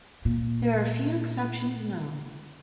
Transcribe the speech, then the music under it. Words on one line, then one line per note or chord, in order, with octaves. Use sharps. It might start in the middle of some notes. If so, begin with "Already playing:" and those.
There are a few exceptions known.
A#2